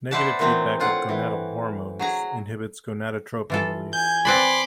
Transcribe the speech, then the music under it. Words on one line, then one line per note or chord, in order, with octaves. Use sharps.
Negative feedback of gonadal hormones inhibits gonadotropin release.
B4 C5 D5 E5 F#5 A5
A#2 E3 F#3 C4 A#5
A2 F4 F#5
E3
F#3 G#4 A#5
E3 F4 A4
G#5 G6
C4 B4 D5 B5 C6 D6